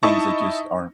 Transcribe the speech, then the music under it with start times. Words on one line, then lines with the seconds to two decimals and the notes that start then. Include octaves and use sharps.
things that just aren't
0.03 D#4 E4 D#5 A5 C#6